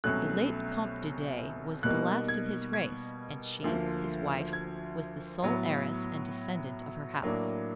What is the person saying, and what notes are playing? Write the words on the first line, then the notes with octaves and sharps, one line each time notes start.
The late Comte de Dey was the last of his race, and she, his wife, was the sole heiress and descendant of her house.
C2 B2 F#3 A3 C#4 F#6
B2 G3 A#3 D#4 F#6
G#6
G#6
D2 D3 F3 A#3
G#6
A2 F#3 B3
A2 F#3 A#3 D4